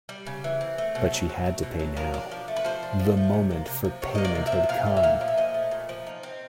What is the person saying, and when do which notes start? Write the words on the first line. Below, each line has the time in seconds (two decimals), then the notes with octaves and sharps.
But she had to pay now; the moment for payment had come.
0.09 G3
0.26 C#3
0.44 E3
0.61 C4
0.78 A3
0.95 B2
1.12 F#3
1.29 C4
1.46 A3
1.63 B2
1.79 F#3
1.96 F3 A#4
2.14 D4
2.31 F3
2.48 A3
2.56 B4
2.65 F3 C5
2.83 D4
2.99 F3
3.17 A3
3.33 C3
3.51 A#3
3.67 C3
3.84 F3
4.02 C3 C#5
4.15 A#3 D#5
4.25 D5
4.35 C3
4.47 E5
4.52 F3
4.69 A#2 F5
4.86 A3
4.97 E5
5.03 A#2 F5
5.21 F3
5.28 E5
5.38 A#2 D#5
5.54 A3
5.71 A#2
5.89 F3
6.07 D#4
6.23 C4